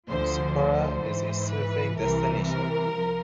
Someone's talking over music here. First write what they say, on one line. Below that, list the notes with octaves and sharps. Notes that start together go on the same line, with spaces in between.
Sipora is a surfing destination.
D2 D3 F3 C5
C5
G#2 E3
B4
C2 C3 E3 A#4
A#4
F3